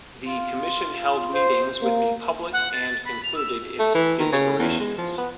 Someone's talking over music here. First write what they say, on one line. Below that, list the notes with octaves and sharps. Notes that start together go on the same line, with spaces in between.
The Commission held meetings with the public and concluded its deliberations.
F4
C5
A#3
F#5
A6
B5
F7
E6
A3
E3
D#3
C#3
E2
G#3
F3
B3